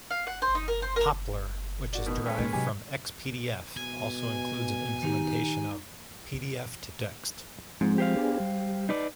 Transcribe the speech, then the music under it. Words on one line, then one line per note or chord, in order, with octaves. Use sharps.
Poppler, which is derived from Xpdf, also includes an implementation of pdftotext.
F5
F#5
C5
D#4
A#4
C5
A#4
A#3 F#4 D5
B2 D#3 B3
G#3 C#4 A4 B4 C5 G5
G#2 D#3 A#3
C3 F#3 D#4 G4 G#5
B2 G#5
D#3 D#4 G4
G#2 F3 G#3 C4
G4 C5 F5
B3 D4 G#4
G3
D#4 B4 D5